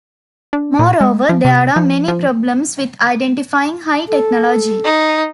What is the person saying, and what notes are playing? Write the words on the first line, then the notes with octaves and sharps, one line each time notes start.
Moreover, there are many problems with identifying high technology.
D4
A#2
G#3
F3
C3
F3
F3
A4
D#4